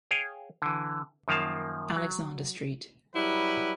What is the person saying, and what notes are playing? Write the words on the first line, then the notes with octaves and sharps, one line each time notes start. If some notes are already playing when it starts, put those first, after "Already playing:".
Alexander St.
G#4 C#5 F5 G5
D3 E3
F#2 D#3 F3 A#3 F5 A5
F#3
F#3 G3 E4 B4